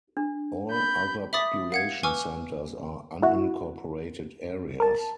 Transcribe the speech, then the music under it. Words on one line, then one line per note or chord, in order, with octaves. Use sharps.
All other population centers are unincorporated areas.
D4
B5 G6
E5 B5 D6 D#6 A6 B6
F5 F#5 G#6
B4 G#5 C#6 D6 E6 F6
E4 F#4
A#4 A5